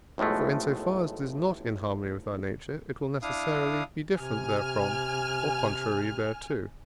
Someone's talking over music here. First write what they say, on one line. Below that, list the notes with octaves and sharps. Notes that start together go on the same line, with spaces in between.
For, in so far as it is not in harmony with our nature, it will necessarily be different therefrom or contrary thereto.
B1 A2 F3 G#3 A3
D4 E4 F5 D#6
C3 G#5 F6